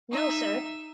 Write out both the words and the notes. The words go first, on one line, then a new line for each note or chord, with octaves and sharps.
No sir!
D#4 E5